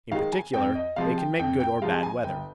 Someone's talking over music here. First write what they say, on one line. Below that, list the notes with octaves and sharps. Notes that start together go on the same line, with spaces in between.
In particular they can make good or bad weather.
D#3 G#3 F5
G#5
F2 G5
D#5
C3 F3 G#3 F5
G5
F2 G5
G5
C3 F3 G#3 F5
G#5
G1 G5